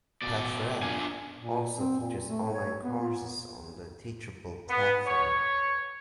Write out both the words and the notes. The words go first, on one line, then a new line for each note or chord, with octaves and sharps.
Paffrath also teaches online courses on the Teachable platform.
B2 D5
D4 F4 G#5
A#2
C4
A#2
A3
C#5
B3
F4
B3
C#5